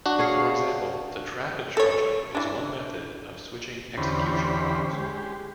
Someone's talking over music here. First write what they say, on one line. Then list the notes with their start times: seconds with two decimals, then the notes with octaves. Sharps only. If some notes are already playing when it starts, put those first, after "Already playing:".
For example, the trap instruction is one method of switching execution models.
0.06 D4 F#4
0.19 G#4 C#5 F5
1.77 A4 C#5
2.35 E3 D4
3.97 E2 D3 C#4 G4 C5 B5
4.93 G#3 G4